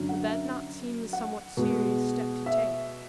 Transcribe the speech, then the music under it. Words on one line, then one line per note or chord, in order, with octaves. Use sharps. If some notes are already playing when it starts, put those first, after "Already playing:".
"Would that not seem a somewhat serious step to take?"
Already playing: F#2 D3 F#3
F#5
E5
F#5
B2 G#3
E5